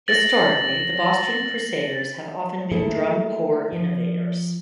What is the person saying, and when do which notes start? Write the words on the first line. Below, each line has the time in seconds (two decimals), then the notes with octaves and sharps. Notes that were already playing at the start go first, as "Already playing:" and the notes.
Historically, the Boston Crusaders have often been drum corps innovators.
0.08 A6 A#6 F#7
2.72 A3 A#3 E4 G#4 A4
3.73 F3